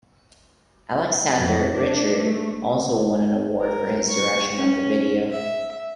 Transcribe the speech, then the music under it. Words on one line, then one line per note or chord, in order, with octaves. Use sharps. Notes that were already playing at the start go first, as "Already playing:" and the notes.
Alexandre Richard also won an award for his direction of the video.
F2
D4
A3
A#4
C#6
C#4
E5